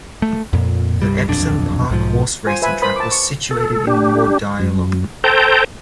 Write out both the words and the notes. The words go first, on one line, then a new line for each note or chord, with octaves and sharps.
The Epsom Park Horse Racing track was situated in Mordialloc.
A3
F2 A#2
C2 G2 G3
D#1 B1 F2 D4
B1 G#2 F3
F4 C5 G#5
B4 E5 G#5 B5
A#4 C5 B5 D#6
A5 D6
C#6
A4
D4 G4
F#2
A4 C5 G5 A5 A#5 G6